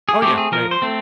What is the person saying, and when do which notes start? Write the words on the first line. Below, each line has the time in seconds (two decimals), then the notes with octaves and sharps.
Oh, yeah, yeah.
0.09 G#4
0.22 A3 C4 G4
0.38 G#4
0.52 F3 A#4
0.71 C5
0.82 A3 C4